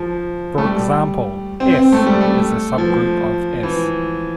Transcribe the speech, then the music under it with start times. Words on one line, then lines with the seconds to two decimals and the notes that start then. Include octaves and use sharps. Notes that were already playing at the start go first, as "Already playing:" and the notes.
For example "S" is a subgroup of "S".
Already playing: F3
0.58 A3
0.64 G3
1.60 C4
1.71 C4
1.82 C4
1.92 A3
2.07 G3
2.21 A3
2.78 F3
3.63 E3